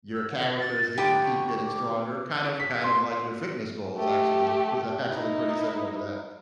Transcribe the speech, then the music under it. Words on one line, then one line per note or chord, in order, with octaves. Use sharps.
your characters get to keep getting stronger, kind of kind of like your fitness goals actually, is actually pretty similar to that
E6
F#5
A6
F2 D3 G4
C#6
D6
B6
C6
A3 G4
D#4 E4